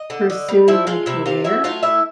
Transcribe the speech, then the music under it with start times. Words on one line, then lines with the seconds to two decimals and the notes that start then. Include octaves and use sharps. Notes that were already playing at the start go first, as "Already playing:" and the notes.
pursuing my career,
Already playing: D#5
0.10 D3
0.30 D3
0.48 G3
0.68 F3 E4 E5
0.87 G#3 F4 F5
1.06 C3 E4 E5
1.26 C3 F4 F5
1.44 F#3 E4 E5
1.64 A3 F4 F5
1.83 A2 E4 E5